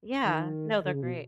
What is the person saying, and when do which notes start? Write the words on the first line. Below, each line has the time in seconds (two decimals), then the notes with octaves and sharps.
Yeah. No, they're great.
0.24 D#3
0.84 D3
0.94 C#3
1.03 B2